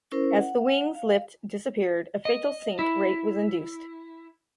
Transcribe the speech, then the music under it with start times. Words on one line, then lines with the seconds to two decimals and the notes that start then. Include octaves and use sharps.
As the wings' lift disappeared, a fatal sink rate was induced.
0.12 C#4 E4 A#4 C5
0.37 F#5
0.95 F5
2.25 D#5
2.79 E4